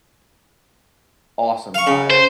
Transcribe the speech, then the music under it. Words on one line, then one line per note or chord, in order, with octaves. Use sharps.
awesome guy,
F5 C#6
C#3
C5